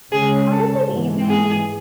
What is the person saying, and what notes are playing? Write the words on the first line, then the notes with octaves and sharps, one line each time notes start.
How did they even
C#3 G#3 C#4 G#4
A4
G#2 E3 G#3
G#4